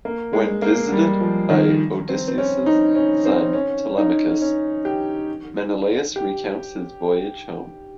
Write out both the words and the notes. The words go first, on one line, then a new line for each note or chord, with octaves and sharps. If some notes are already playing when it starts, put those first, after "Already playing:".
When visited by Odysseus' son Telemachus, Menelaus recounts his voyage home.
A#3
G#3
A#3
G3
F3
D#3
C4
C4
C#4
D#4
C#4
C4
C#4
D#4
C#4
G4
G4